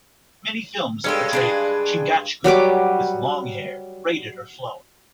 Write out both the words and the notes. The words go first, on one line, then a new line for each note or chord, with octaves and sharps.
Many films portray Chingachgook with long hair, braided or flowing.
G2 G#3 C#4 G4 A4
D4 G#4 B4
F#3 G3 B4 D6